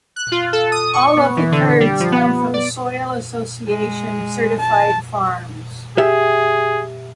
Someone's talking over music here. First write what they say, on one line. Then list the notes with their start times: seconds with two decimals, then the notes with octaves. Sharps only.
All of the curds come from Soil Association certified farms.
0.16 F#6
0.32 F4
0.53 A4
0.72 D#6
0.93 C#6
1.17 B3
1.37 E3
1.52 D3
1.80 G3
2.00 F3
2.12 B3
2.54 D5
3.68 G#3
4.59 A5
5.98 G4 G#4 E5